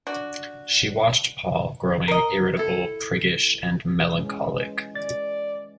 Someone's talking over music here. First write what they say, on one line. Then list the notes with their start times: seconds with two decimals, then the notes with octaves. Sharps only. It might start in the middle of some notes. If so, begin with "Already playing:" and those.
She watched Paul growing irritable, priggish, and melancholic.
0.07 D4 F#4
2.08 A#4 D#5
2.57 E4 A4
4.15 E3 G#3 C#4
4.95 D5 A6